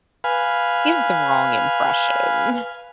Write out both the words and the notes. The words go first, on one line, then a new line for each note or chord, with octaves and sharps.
give the wrong impression.
B4 F5 G#5